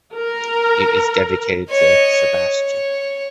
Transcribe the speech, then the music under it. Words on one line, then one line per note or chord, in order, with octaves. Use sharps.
It is dedicated to Sebastian.
A#4
C#5 D#5
C#5